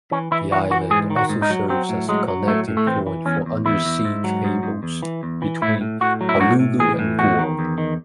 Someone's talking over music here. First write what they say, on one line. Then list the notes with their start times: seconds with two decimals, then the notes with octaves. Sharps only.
The island also serves as the connecting point for undersea cables between Honolulu and Guam.
0.11 E3 C#4
0.32 E3 E4
0.51 E3 F#4
0.70 E3 F#4
0.90 G#2 G#4
1.10 D#3
1.16 F#4
1.29 G#2
1.42 D#4
1.50 F#3
1.69 F#3 C4
1.89 A2
2.08 F#3 G#3
2.28 F#3
2.47 A2 A3
2.68 A2
2.77 A3
2.86 E3 C4
3.07 E3
3.25 E2 C#4
3.46 E2
3.65 E2 E4
3.85 E2
4.05 G#2
4.24 F#3
4.44 G#2
4.63 G#2
4.83 E2
5.03 E3
5.23 E2
5.42 E3
5.62 A2 E4
5.81 A2
6.01 A2 F#4
6.21 F#3
6.29 E4
6.40 A2 F#4
6.59 A2
6.79 E3 G#4
6.99 A2
7.19 E2 F#4
7.39 D#3
7.59 E2
7.78 D#3